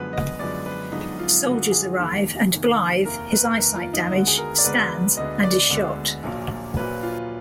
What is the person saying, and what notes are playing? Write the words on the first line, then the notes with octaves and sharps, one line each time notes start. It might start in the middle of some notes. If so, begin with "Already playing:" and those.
Soldiers arrive and Blythe, his eyesight damaged, stands and is shot.
Already playing: F#2 D3 F3 G#3 B3 B4
D#5
F#2 D3 F3 G#3 B3 D5
B4
F#2 D3 F3 G#3 B3 D#4
F4
F#2 D3 F3 G#3 B3 F#4
G#4
F1 D#2 D#3 A#3
F1 D#2 D#3 A#3
F1 D#2 D#3 A#3 A#4
B4
F1 D#2 D#3 A#3 A#4
F4
D#4
D2 D3 G#3 B3 F#4
G#4
A#4
D5
D2 D3 G#3 B3 B4
D2 D3 G#3 B3 D#5
D5
D2 D3 G#3 B3
A#1 A#2 F#3 A#3
A#1 A#2 F#3 A#3 B4
F4